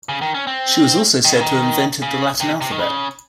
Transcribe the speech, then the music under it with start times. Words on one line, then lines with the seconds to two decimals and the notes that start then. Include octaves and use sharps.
She was also said to have invented the Latin alphabet.
0.09 C#3
0.22 D#3
0.35 C#4
0.47 C4
1.25 D#3
1.33 C#3
1.40 D#3
2.02 C#3
2.41 C3
2.61 C3
2.71 D#3
2.80 C#3